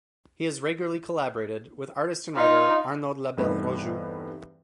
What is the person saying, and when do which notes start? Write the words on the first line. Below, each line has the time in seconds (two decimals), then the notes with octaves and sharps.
He has regularly collaborated with artist and writer Arnaud Labelle-Rojoux.
2.36 D#4 F4
3.37 E2 G2 C3 A3 D#4 B4